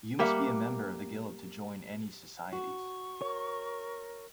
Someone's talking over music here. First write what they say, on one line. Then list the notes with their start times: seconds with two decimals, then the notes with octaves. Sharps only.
You must be a member of the Guild to join any societies.
0.19 G3 A#3 E5 F#5
2.53 F#4 C#6
3.22 A#4 C#5